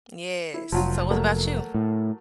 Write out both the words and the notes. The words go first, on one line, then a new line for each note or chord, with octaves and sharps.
Yes, so what about you?
E4
F1 F3 F#3 F4
F#3 A3 A#3
A2